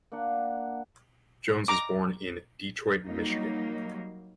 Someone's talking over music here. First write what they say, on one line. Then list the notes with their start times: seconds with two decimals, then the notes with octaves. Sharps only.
Jones was born in Detroit, Michigan.
0.12 A#3 D4 F#5
1.68 A#5 D6
3.04 F#3 G3 A#3 D#4